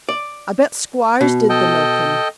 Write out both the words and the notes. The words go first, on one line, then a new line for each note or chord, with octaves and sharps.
I bet squires did the milkin'.
D5
B2
A4 D#5 G5